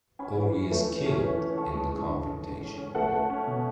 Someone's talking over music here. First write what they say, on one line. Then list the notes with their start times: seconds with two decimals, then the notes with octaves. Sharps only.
Ori is killed in the confrontation.
0.19 C#4 G#5 B5
0.37 E3
0.54 C#4
0.71 A3
0.88 E3
1.06 C#4
1.23 E3
1.40 E3
1.58 C#4 A5 C#6
1.74 G#3
1.92 G#3
2.10 D3
2.26 D3
2.44 D3
2.61 C#4
2.78 C#4
2.95 A3 F#5 A5
3.12 A3
3.30 C#4
3.47 B2